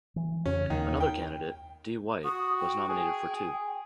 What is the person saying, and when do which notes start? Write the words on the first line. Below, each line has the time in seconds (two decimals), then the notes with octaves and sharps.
Another candidate, D Whyte, was nominated for two.
0.16 E3
0.46 F2 C#3 C#4
0.70 D#2 D#3
1.00 G5
2.25 F#4 D#6
2.59 G5
2.89 G#4